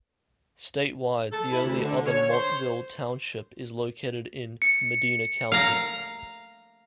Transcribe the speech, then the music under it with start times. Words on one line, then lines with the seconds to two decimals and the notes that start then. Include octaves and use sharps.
Statewide, the only other Montville Township is located in Medina County.
1.32 A4
1.52 E4
1.64 D2
1.85 D3
2.07 C#5
2.31 C5
4.62 C#7
5.52 F5 A#5